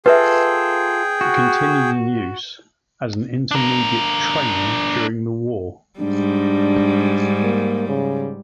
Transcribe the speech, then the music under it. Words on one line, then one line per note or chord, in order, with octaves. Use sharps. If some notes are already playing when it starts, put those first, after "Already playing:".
It continued in use as an intermediate trainer during the war.
F4 G#4 A4 B4 E5 G5
F#4
D4 A#4
G#2 G3 D4
A#3
C#3